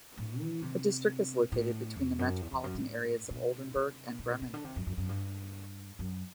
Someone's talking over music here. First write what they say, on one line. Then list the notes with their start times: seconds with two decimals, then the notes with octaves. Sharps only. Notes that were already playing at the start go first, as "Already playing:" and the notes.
The district is located between the metropolitan areas of Oldenburg and Bremen.
0.17 A2
0.40 E3
0.62 C3
1.52 A2
1.96 E2
2.19 F#2
2.41 E2
2.52 E2
2.64 F#2
2.75 A2
3.30 B2
3.75 C3
4.19 B2
4.30 A2
4.42 C3
4.54 D3
4.64 C3
4.76 F#2
4.87 F#2
4.97 F#2
5.09 G2
5.99 F#2